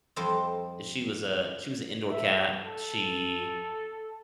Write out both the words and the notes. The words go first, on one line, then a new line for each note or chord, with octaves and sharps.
She was a she was a indoor cat. She
F2 G3 F4 A4 C5 D#5
E5
A4